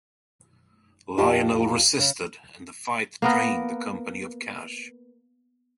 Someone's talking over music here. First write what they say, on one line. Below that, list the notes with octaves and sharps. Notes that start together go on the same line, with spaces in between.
Lionel resisted and the fight drained the company of cash.
F2 D#4 F4 G4 F5 A5
C#3
A#3 B3 A#4